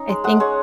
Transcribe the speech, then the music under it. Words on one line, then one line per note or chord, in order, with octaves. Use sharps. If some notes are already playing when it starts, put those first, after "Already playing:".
I think
Already playing: C#4 D#4
G#3
G#3 F#5
G#3 C#5